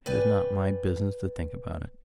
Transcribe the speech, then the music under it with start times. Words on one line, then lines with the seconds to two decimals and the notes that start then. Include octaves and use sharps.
It is not my business to think about it.
0.06 B4 D5 G5 G#5